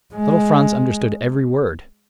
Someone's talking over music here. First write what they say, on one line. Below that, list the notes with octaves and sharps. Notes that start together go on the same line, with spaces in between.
Little Franz understood every word.
G#3